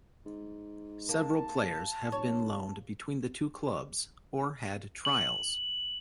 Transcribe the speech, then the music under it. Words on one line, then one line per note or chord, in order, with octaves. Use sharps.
Several players have been loaned between the two clubs or had trials.
G#2
A#3 A5
F1 C#5
F#7